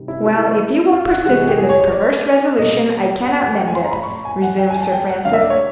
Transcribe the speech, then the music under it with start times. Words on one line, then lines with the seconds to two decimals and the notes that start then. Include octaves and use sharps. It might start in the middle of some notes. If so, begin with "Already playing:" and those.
"Well, if you will persist in this perverse resolution, I cannot mend it," resumed Sir Francis.
Already playing: C3 D#3 G3
0.08 E4
0.25 E4
0.92 F4
1.09 F#4
1.25 C3 E3 G#3 F#4
1.48 G4
1.58 G#4
1.69 C#5
1.81 C#5
1.92 D5
2.58 B2 G3 D#5
3.25 F#5
3.41 F#5
3.58 G5
3.67 G#5
3.75 C6
3.84 A#5
3.92 A2 F#3 B5
4.03 C#6
4.25 G#5
4.42 F#5
4.58 G5
4.70 G#5
4.81 A5
4.92 G5
5.09 F#5
5.25 D3 F#3 F5
5.33 E5
5.42 D5
5.50 C#5